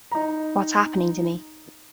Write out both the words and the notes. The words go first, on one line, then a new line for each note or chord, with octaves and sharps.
What's happening to me?
D#4 A#5